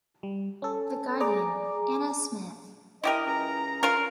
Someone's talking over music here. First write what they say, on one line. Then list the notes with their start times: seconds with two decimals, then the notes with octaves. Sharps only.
The Guardian, Anna Smith.
0.23 G3
0.62 C#4 A4
1.20 G#4 D5 A#5 D6
3.04 E4 G4 A#4 D#5
3.27 C#2 C#4 A#5
3.83 F4 A#4